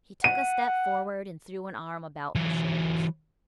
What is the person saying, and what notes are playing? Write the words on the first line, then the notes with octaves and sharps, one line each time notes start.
He took a step forward and threw an arm about her shoulders.
F#5 D#7
E3 F#3